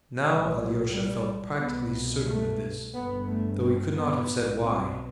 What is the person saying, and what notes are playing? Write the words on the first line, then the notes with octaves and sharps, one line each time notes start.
Now Alyosha felt practically certain of this, though he could not have said why.
B1 A2 G3
F#3
G3
C2 B2 B3
A3
G1 G2 B3
A3
C4
B3
B1 B2
C4